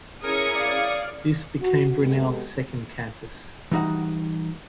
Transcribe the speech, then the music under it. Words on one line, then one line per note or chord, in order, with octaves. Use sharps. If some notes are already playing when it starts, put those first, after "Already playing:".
This became Brunel's second campus.
C#4 E4 G#4 A#4 D#6 G#6 C#7
D5 F5
F#4
G#3 B3 F#4 G4 A4
E3 G3 D#4 F#4 F#5